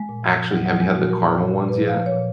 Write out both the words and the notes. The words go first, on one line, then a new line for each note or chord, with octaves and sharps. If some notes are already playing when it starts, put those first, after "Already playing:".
Actually, have you had the caramel ones yet?
Already playing: G#3
A#2
F3
F3
A#2 F#3
F3 F#3
F3 G#3
A#2 F#4
F3 A#4
F3
A#2
A#2
A#2 B4
F3
F5
F3
C#5
A#2